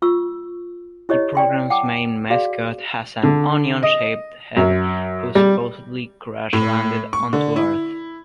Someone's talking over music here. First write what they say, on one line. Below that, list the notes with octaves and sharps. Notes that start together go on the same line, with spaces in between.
The programme's main mascot has an Onion-shaped head, who supposedly crash-landed onto Earth.
F4 C#6 E6
E4 G4 C#5 D#5
D5 G5 C6
F#5 G5 A5 D6
F#4 G#4 D5 F5
D3
D#5
F#2
G3
A2
C#6
D3
E4